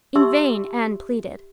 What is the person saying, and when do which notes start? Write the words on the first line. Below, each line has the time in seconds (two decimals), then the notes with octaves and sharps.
In vain Anne pleaded.
0.16 D#4 G4 E5 C6 C#6 E6